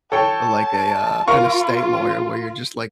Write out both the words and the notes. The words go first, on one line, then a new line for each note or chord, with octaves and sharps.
like a, uh, an estate lawyer where you're just
A4 C#5 G5 A5
F4 A#4 F5 C#6